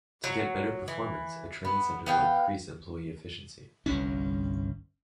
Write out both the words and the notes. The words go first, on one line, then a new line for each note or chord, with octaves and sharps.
To get better performance a training center will increase employee efficiency.
F#3
E3
B3
B3 F5 G5
G1 C2 G2 C#4